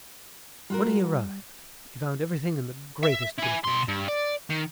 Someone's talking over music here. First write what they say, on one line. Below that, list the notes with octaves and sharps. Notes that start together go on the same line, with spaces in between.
When he arrived, he found everything in the greatest confusion.
G3 F4 F#4 A#4
E5
E4 G#5
B2 C6
G2
D5
D#3